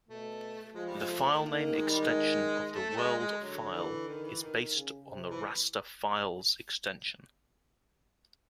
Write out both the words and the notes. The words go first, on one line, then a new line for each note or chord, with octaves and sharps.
The filename extension of the world file is based on the raster file's extension.
B2 A3
F3 G#3
G3
G#3
A3
D#3 A#3
G#3
G3
G#3
A3
A3
G#3
G#3
D3 F#3
E3
D#3
E3
D#3
D#3
C#3
C3
E3